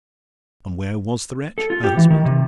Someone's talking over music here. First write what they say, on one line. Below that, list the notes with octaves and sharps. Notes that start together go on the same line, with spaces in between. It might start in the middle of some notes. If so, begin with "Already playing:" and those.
And where was the wretch, her husband?
A4
F4
G4
E3
D#3
C3